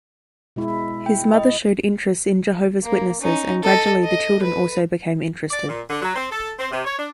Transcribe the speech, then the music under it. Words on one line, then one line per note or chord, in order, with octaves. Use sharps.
His mother showed interest in Jehovah's Witnesses and gradually the children also became interested.
B2 G#3 E4
G5
D#5
A#3
C#4 D#4
A4 D#5
D#5
B4
D5
A#2
D3
F#3
C4
A4
C4
C3
C#5
D4